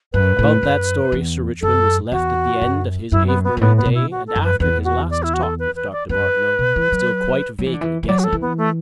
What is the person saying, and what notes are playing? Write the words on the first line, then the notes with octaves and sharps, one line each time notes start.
About that story Sir Richmond was left at the end of his Avebury day and after his last talk with Dr. Martineau, still quite vaguely guessing.
F#2 B4
A2
F#2
E2
F#2 A4
E2 F#4
F#2
F#2 E4
B3
B3
F#2
A2 B3
B3
B2
E4
F#4
A4
F#2
B4
E2 B4
F#4
D5
E4
F#4
A4
B4
B4
D5
F#2 B4
B2
E3
F#3
F#3
E3
D3
E3
E3
F#3 D5
F#4
A4
E3
B3
A3